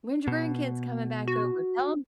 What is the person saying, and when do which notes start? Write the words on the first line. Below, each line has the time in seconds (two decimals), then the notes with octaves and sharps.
when's your grandkids coming back over? Tell 'em
0.28 B2
1.28 F#4